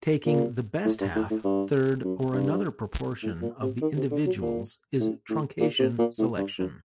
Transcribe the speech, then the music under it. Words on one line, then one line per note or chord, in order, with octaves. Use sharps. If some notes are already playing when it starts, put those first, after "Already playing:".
Taking the best half, third or another proportion of the individuals is truncation selection.
A#2
A2
G2
A2
A2
G2
F#2
G2
A2
A#2
C3
D#3
C3
D3
F#3
A#2
A2
A2
A#2
C3
A#2
A2
G2
F#2